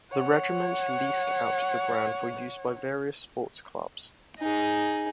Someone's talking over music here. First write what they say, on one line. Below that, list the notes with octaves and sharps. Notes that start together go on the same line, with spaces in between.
The regiment leased out the ground for use by various sports clubs.
C#5 F#5
D#4 G#4